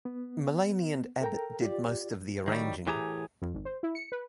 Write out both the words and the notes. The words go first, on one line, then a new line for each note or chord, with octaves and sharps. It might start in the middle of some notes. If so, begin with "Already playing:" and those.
Mullaney and Abbott did most of the arranging.
B3
A4 A#4 G5 A#5
F4 G4 D5
D#3 F#3 G3
A2 E3 G4 G#4 A5 A#5
F2
G#1
C5
E4
C#7
B4